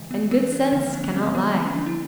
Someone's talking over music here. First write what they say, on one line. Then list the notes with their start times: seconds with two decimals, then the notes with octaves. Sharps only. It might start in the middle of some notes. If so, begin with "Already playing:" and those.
And good sense cannot lie.
Already playing: C#3 E3 G#3
0.11 B3
0.32 B3
0.52 C#4
0.72 D3 F3 A#3 C4
0.83 C4
0.94 C#4
1.04 C#4
1.14 C4
1.35 B3
1.55 B3
1.66 C#4
1.76 D4
1.86 E4